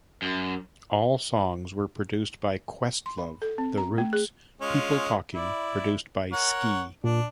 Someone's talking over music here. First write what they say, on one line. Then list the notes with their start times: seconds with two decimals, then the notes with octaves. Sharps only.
All songs were produced by Questlove, The Roots; "People Talking" produced by Ski.
0.22 F#2
3.06 C6
3.18 B5
3.42 A4
3.58 C4
3.78 A#5
3.98 A3
4.13 G#4
4.61 G#3 C#4 F4
5.35 E4 D5
6.32 A#4 C#5 F#5
7.04 A#2 D4